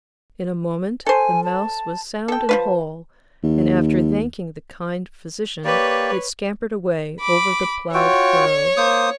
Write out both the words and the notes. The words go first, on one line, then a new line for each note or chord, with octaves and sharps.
In a moment the mouse was sound and whole, and after thanking the kind physician it scampered away over the ploughed furrows.
A4 C5 G#5
A5
A4 G5 A5
F3 F4 B4
D#2
A#3 G4 B4 C#5 D5
B5 D6
F4 F#4 C#5 G5
A#3 C5 D#6